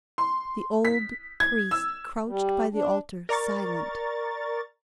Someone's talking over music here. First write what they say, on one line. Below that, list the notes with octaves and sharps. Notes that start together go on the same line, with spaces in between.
The old priest crouched by the altar, silent.
C6
B6
G#6
E6
G3
D4
A#4 D5 A#5 C#6 A6